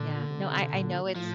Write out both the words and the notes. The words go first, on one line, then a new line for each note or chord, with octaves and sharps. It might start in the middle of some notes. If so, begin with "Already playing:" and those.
Yeah. No, I I know it's
Already playing: A#2 D3
C3
A#2
A#2
A2 F3